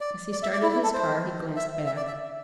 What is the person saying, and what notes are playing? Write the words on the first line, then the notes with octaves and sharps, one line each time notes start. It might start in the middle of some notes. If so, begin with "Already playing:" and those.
As he started his car he glanced back.
D5
D5
E5
D5
E4
E4
A4
C5
E5
E5
D5
E5